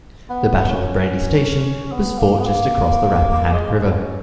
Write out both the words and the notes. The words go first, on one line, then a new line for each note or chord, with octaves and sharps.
The Battle of Brandy Station was fought just across the Rappahannock River.
B3
B3
C#4
B3
A#3
B3
A#3
G#3
B3
C#4